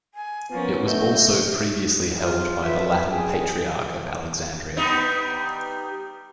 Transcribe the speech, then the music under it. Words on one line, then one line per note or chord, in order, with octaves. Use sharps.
It was also previously held by the Latin Patriarch of Alexandria.
G#5
F3 A#3 B3 C#4 F4
C#3 A3 D#5 G6
F4
B4 E5
G#4 G5
G3 B3 D#4